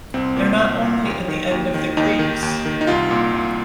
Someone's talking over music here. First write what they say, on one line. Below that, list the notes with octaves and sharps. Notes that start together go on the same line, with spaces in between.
They're not only in the end of the creeks.
C2 C4
A#2
C2
A#2
D#2
D#3
D#2
D#3
D#2 D#4
D#3
D#2
D#3
D#4
C2 F4
A#2
C2